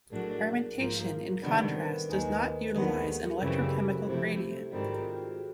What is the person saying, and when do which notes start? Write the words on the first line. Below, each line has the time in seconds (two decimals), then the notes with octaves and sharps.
Fermentation, in contrast, does not utilize an electrochemical gradient.
0.10 A2 F#3 A3 D4 F#4 G#4 A#4
0.77 G#2 F3 A#3
1.42 C3 D#3 G3 B3 D4 A4 B4
1.75 A#4 C5
2.08 D#2 D#3 G#3 A4 B4
2.69 A4
2.74 D#2 D#3 G#3 B3 D4 G#4 A#4
2.96 G4 A4
3.18 G4 A4
3.40 F#2 C#3 E3 G3 C4 G4 A4
3.62 F#4 G#4
3.84 F#4 G#4
4.06 C3 F3 A3 C4 E4 G4 A4
4.72 G#2 D#3 G3 C4 F#4 G#4
4.94 F4 G4
5.16 F4 G4
5.28 A4
5.37 F#4 G#4